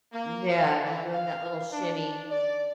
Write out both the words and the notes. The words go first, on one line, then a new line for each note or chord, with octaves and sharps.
yeah, doing that little shimmy.
A#3
F5
E3
F5
D4
D5